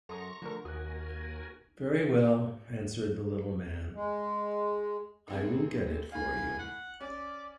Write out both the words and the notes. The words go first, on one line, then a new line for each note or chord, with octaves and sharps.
"Very well," answered the little man; "I will get it for you."
F#2 A4 A#5 C6 C#6 D#6
D3 F3 A3 A#4
D#2 F#4 A#4 G#5 D#6 F#6
G#3
A1 C4 G#4
A2 F5 G#5
F#5
C#4 D5